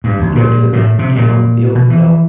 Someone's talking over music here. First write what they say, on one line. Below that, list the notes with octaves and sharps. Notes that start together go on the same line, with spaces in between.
you know, do the best they can on the field and so,
G2
D2
A#2
A2
C3
A#2
B2
E3